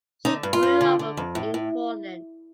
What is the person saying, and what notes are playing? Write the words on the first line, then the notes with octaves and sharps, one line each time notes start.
She grew up in Portland.
D3 D#4
G2
F4
G2
D3
D3
F2
A2
A2